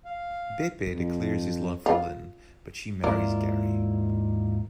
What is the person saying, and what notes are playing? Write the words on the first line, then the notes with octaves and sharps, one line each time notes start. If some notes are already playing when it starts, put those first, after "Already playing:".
Beppe declares his love for Lynne but she marries Garry.
F5
F2
F4
D#2 G#2 E4 F4 A#4 D5